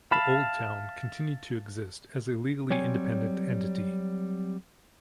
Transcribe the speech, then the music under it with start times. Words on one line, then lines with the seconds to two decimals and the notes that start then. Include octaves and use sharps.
The "old town" continued to exist as a legally independent entity.
0.12 E5 F5 A5 B5
2.70 F#3 G3 C4 C#5 G#5